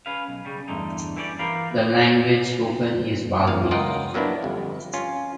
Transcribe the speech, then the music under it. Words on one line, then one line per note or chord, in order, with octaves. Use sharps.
The language spoken is Balti.
C#4 B4 F5
B1
C#3 G3
E2 G2 D3 A3 D#4
D3 E3 G3 C#4 G4 D5
E3 E4 G4 A#4 F5 B5
E2 A#2 F5
C#2 F4 A#4 D#5 F#5 G5
F#3 A#3 B3 D4 E4
G1 F2
C#4 F4